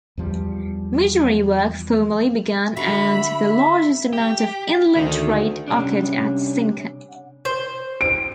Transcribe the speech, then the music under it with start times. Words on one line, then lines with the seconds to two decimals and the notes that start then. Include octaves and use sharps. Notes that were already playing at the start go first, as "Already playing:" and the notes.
Missionary work formally began and the largest amount of inland trade occurred at Sinkan.
0.18 E2 F3 G3
2.76 D3 F#4 E5 A#5 B5
4.13 G4
4.96 D2 D#3
5.68 C3 G3 C#4 D4
7.45 C5
8.01 D7